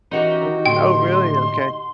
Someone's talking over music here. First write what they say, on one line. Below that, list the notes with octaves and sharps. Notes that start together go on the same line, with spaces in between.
Mm, oh, really, okay.
E3 C#4 D#4 F#4 G4 A#4
A2 D3 G5 C6